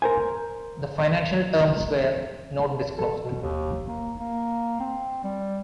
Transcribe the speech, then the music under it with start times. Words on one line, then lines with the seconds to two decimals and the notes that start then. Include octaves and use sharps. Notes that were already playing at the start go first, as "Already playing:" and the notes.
The financial terms were not disclosed.
0.02 A#4 C5 G#5
2.98 A4
3.23 B2
3.41 D#2
3.88 A#3
4.19 A#3
4.80 C4
5.24 G3